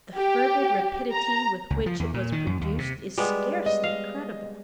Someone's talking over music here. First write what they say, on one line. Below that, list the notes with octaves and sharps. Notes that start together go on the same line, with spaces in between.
The fervid rapidity with which it was produced, is scarcely credible.
G4
A#5
C#2
F3
E2
A#2
D#3
F#2
D#2
C3
G3 G#3 B3
D#5
F5